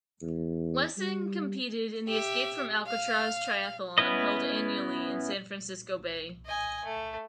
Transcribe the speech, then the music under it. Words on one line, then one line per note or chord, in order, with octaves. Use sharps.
Lessing competed in the Escape from Alcatraz Triathlon held annually in San Francisco Bay.
E2
G3
G4 E5
F5
B3 C#4 E4 B4 D#5
D#5 G#5
A3